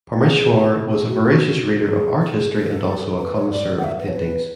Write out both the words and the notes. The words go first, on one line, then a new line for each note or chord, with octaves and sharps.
Parmeshwar was a voracious reader of art history and also a connoisseur of paintings.
G#4
A4
G#4
F#4
F#4
A4
G#4
A4
G#4
A4
B4
C#5
D5
F#5
E5
B4
C#5
B4